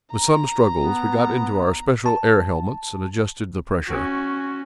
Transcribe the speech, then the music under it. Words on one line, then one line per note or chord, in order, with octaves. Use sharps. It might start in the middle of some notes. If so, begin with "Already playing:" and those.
With some struggles, we got into our special air helmets and adjusted the pressure.
A#5
B3
A5
C#4 F#4